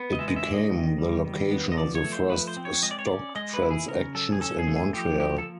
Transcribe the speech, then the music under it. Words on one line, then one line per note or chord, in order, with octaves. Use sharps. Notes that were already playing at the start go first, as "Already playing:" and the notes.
It became the location of the first stock transactions in Montreal.
Already playing: B3
D#5
G#3 E5
D#5
E5
D4
D#5
D#3
G3
D#3
B3
D#5
F3 D5
C#5
A3
C5
F3 B4
C5
C4
C#5
G#3 D#5
D5
C#5
C#4 D5
G#3 D#5
B4
E4
G#4
C#3 A#4
F#3 A4
G#4
C#4 A4
G#4
A3
G#4
F3 G4
A#3 G4
A4